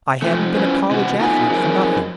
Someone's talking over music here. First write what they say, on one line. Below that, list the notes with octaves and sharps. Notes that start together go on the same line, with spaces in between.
I hadn't been a college athlete for nothing.
F2 A#2 F3 A3
G#3 C#4 E4 F4 B4 C5
C3 E3 F#4
A3 B3 D#4 F4 E5 G#5
F3 F#3 C4 D#4 G#4 A#4